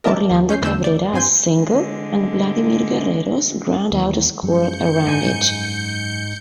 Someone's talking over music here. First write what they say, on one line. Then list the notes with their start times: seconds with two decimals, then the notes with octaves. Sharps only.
Orlando Cabrera's single and Vladimir Guerrero's groundout scored a run each.
0.04 A#4 D#5 E5 A5 D6
0.31 D#2
0.49 C#4 G6 C7
0.62 E2 D3 A3 E6 G6 E7
0.84 D5
1.13 G2 C4 G#5 C6 G6
1.54 D3 G#3
3.92 D#2 E3
4.43 F#2 F#3 G#3 G6 C#7
5.07 G#2 G#5